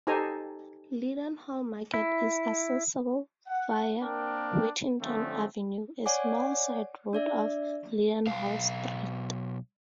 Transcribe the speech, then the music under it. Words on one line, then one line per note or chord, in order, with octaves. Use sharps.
Leadenhall Market is accessible via Whittington Avenue, a small side-road off Leadenhall Street.
D#4 G4 A4 C5 G#5 A#5
E4
F#5
A#3 C4 D4 A#4 G5
D3 F3 G3 A3 C4 C#4
C#5 D5 F#5 G#5 D6
D4 D5 E5
B1 F5